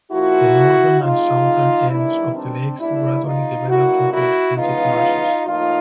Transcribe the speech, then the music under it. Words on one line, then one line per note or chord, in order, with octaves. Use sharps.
The northern and southern ends of the lakes gradually developed into extensive marshes.
A#2 F3 A#3 E4 F#4
C3 F3 G#3 D#4 F4
D#3 G3 B3 D4 E4
C4 D4
B2 G3 A#3 D4 E4
D#4 F4
D3 F#3 A#3 E4 F#4
E4 F#4
C#3 E3 G#3 B3 D#4 F4
A2 F3 A#3 D#4 F4